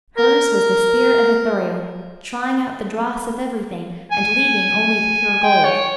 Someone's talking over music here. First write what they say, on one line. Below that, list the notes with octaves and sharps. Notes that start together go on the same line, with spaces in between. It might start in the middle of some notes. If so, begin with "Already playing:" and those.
Hers was the spear of Ithuriel, trying out the dross of everything and leaving only the pure gold.
A#4
G#5
G5
C#5